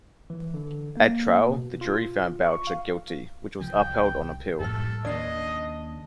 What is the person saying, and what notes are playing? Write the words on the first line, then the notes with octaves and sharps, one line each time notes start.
At trial, the jury found Boucher guilty, which was upheld on appeal.
E3
D3
A#3
B2
F4
C#6
F5
C2 C#3 F3 G5
A#1 F#2 A2 G3 A4 F6
D#2 C#3 D4 D#5 G#6 C7